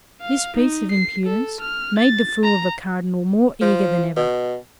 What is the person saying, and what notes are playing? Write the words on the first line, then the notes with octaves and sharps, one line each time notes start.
This piece of impudence made the fool of a cardinal more eager than ever.
F5
D#4
C7
A4
F6
A6
A#5
F3
B2